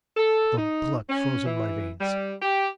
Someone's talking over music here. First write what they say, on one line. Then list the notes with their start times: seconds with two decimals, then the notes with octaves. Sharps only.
The blood froze in my veins.
0.17 A4
0.57 D#4
1.09 C#4
1.45 E3
2.01 G3
2.42 G4